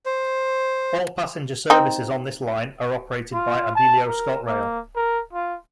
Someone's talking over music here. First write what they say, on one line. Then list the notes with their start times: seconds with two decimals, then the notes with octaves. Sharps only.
All passenger services on this Line are operated by Abellio ScotRail.
0.06 C5
1.70 C4 D#4
3.33 F4
3.76 A5
4.06 A#4
4.47 A#3
4.96 A#4
5.33 F4